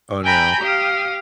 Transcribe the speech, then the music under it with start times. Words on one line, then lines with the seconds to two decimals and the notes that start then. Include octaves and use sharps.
Oh, no.
0.24 G5 G#5 A#5 B5 G6
0.61 G4 F5 D#6